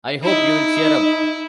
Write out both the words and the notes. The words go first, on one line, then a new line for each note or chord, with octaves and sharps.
I hope you'll cheer up.
D#4 E4